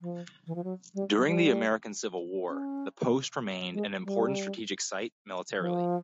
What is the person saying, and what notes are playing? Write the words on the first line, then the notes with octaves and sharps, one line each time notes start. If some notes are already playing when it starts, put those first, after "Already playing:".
During the American Civil War, the post remained an important strategic site militarily.
F3
E3
F3
F#3
G3
F#3
G3
C#4
G#3
G3
F3